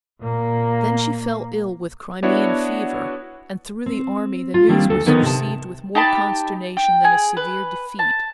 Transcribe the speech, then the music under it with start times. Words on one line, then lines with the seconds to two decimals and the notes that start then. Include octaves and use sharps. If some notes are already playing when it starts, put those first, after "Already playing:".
Then she fell ill with Crimean fever, and through the army the news was received with more consternation than a severe defeat.
0.20 A#2 A#3
2.23 B3 D4 E4 F#4 C#5
3.86 C4
4.54 F4
4.69 D#3 G3 A#3 C4 D4
4.90 D2 A4
5.06 D3 D#3 B3 D#4 A#4 C#5
5.22 C3 D#5 A5
5.95 D#4 G4 A5 B5
6.77 G5
7.04 G#4
7.37 B4
7.99 A5